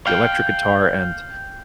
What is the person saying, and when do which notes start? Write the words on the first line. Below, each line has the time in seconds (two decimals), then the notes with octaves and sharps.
the electric guitar, and
0.07 F5 G5